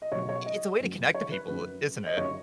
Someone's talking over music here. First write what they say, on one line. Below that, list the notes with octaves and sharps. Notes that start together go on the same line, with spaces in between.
i it's a way to connect to people, isn't it?
D#5
B2 F#3 C#5
C#5
D#5
F#2 F#3
C#5
B4
F#2 F#3 B4
D#5
F#2 F#3 C#5